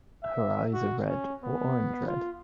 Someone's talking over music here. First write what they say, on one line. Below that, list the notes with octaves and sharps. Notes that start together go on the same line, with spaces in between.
Her eyes are red or orange-red.
E5
F#4
C#4
B3
F4